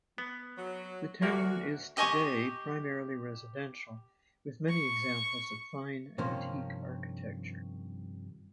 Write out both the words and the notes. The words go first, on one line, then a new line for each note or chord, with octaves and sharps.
The town is today primarily residential, with many examples of fine antique architecture.
B3
F#3
D2 A#3 F#4 A#4
G4 D#5 G#5 C#6
C#6
G2 C3 D#3 F3 A#3 C#4